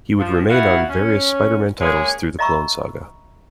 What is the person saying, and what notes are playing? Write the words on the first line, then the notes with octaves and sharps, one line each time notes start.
He would remain on various Spider-Man titles through the Clone Saga.
F3
B3 E4 F#4 F5 F#5
C#4
G#3 A#3 C#4 G#4
D#5 E5 A#5 B5 C#6 E6